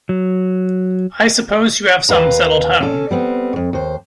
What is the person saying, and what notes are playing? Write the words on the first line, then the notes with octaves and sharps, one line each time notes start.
I suppose you have some settled home.
F#3
D#2 B4 F5 A#5
C#4 A4
G3 B3 C4
F2 G#2
D#2 C5